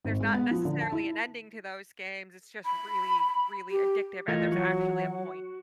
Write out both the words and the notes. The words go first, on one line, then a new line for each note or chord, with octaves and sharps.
there's not necessarily an ending to those games, it's just really, really addictive, and there's actually a point.
G#1
G#3
B3
F3
D3
A5
E4
B5
G4
E3 A3 F4 A#4 D#5 G#6
F#3 F#4